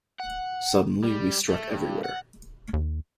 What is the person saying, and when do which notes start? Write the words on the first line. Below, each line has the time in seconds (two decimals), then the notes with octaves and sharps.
Suddenly we struck everywhere.
0.20 F#5
1.04 G3
1.49 A3
1.69 G2
2.04 F#5
2.73 D#2